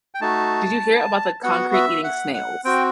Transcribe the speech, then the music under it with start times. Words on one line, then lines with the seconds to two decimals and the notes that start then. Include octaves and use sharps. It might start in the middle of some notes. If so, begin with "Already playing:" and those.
did you hear about the concrete eating snails?
0.15 G5
0.21 A3 D#4 F#4 A5
1.43 B3 F#4 F#5
1.73 E5
2.04 F#5
2.34 F#5
2.64 C4 F#4 G5